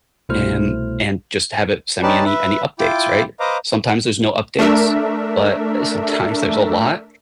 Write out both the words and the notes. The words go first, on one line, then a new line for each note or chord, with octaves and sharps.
and and just have it send me any any updates, right? Sometimes there's no updates, but, eh, sometimes there's a lot.
C2 B2 A3 E4 C5 F6
C#4 D#4 G4 B4 D5 A5
B4 E5
E4 F4 G5 D6
B4 C5 D#5 F5 A#5 D6
A3 D4 A#4 E5